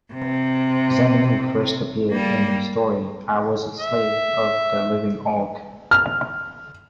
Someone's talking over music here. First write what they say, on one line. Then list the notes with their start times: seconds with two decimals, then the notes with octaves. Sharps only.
Xemnu first appeared in the story I Was a Slave of the Living Hulk!
0.14 C3
2.11 G3 A#3
3.80 E5
5.91 F6